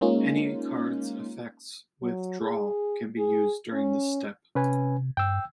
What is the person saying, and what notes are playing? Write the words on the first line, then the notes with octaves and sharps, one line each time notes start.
Any cards' effects with "Draw:" can be used during this step.
G#3 A#3 C#4 D#4 F4
F#3
G#4
G#4
C#4
C3 C#4 B4 G#5
G2 G5 E6